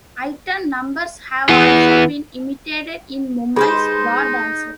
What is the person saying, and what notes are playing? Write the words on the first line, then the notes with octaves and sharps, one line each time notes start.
Item numbers have also been imitated in Mumbai's bar dancers.
E3 B3
G#3 D#4 G4 G#4 B4 C5 B5